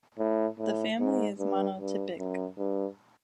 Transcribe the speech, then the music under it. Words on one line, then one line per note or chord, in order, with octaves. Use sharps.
The family is monotypic.
A2
A2
G#2
G2
G2
F#2
G2